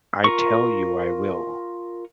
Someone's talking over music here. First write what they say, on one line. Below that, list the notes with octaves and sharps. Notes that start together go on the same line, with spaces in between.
I tell you I will.
F4 A#4 C#6